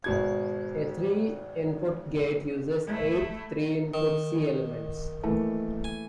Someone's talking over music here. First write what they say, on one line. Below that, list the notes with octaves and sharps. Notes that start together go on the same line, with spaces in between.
A three input gate uses eight three-input C-elements.
G#1 B2 G#6
A3 E4
D#3
E3 A3 A#3
G#5